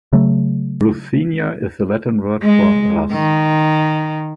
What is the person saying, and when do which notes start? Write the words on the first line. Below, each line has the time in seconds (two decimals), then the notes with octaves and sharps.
Ruthenia is the Latin word for Rus'.
0.13 C#3 F#3 A3
2.43 G#3
3.13 D#3